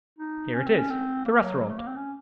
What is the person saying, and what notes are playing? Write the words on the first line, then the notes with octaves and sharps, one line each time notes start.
Here it is--the restaurant.
D#4
C#4
C4
C#4
C4
A#3
F#3
F#3
A3
A#3
C4
C#4